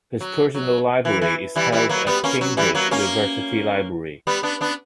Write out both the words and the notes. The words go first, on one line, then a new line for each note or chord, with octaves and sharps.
His personal library is held at Cambridge University Library.
F#3
F#3
E3
E3
E3 G3
E3 G3
F#3 A#3
G3 B3
A#3 C#4
F#3
E3 G3
F#3 A#3
A#3 C#4
G3 B3
B3 D4
B3 D4